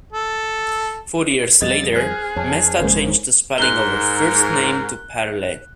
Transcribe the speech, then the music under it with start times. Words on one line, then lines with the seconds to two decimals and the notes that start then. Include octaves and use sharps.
Four years later, Mesta changed the spelling of her first name to Perle.
0.12 A4
1.62 F2 G3 D#5 A6
1.95 G#4 C5 F6 F#6
2.36 F2 C#5 A5
2.80 G1 C#3 G#3 A#3 C5
3.58 G#2 A#4 F#6 G7